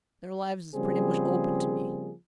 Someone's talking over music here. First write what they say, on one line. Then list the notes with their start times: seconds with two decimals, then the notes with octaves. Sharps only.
Their lives is pretty much open to me.
0.75 C#3 F3 G3 A#3 C4 G#4